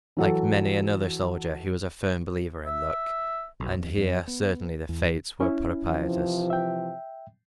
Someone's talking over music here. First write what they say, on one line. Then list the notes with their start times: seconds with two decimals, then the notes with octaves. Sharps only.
Like many another soldier he was a firm believer in "Luck," and here certainly the fates were propitious.
0.17 E3 F#3 A4
2.66 E5
3.60 B1
3.78 F2
3.98 F2
4.28 B3
4.89 E2
5.40 C#4 E4
5.87 C3 E3 F3
6.50 E5 G5